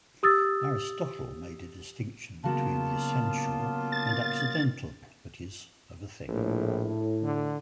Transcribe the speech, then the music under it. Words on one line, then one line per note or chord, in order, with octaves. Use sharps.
Aristotle made a distinction between the essential and accidental properties of a thing.
G4 D#6 E6 A6
C#3 F#3 A#3 B3 F4 A5
A6
A#1 A2
D3